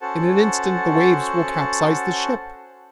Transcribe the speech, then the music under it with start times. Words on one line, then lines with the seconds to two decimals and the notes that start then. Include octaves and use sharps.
In an instant the waves will capsize the ship!
0.01 C#4 F#4 A4 C5 F#5 A5